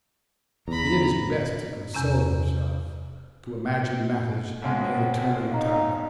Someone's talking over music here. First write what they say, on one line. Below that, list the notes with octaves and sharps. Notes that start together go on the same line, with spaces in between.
He did his best to console himself, to imagine matters near the turn of the tide.
E2 A#5 B5
E2 C3 C#4 A#5
B1 C#3 G#3 C4 F#5
D#4 D#5 F5 A#5